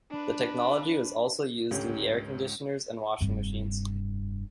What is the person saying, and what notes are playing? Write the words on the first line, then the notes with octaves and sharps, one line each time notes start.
The technology was also used in air conditioners and washing machines.
D4 B4
C#2 G#2 D3 C#4 G4
F1 G2